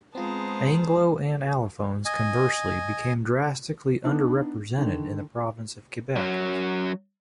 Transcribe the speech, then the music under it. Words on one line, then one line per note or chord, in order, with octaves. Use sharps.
Anglo and Allophones, conversely, became drastically under-represented in the province of Quebec.
G#3 B3 C4 F4 G#4 C5 A5 A#5
D#5 G#5
B3 D4 D#4
D3 D#3
F#2 F#3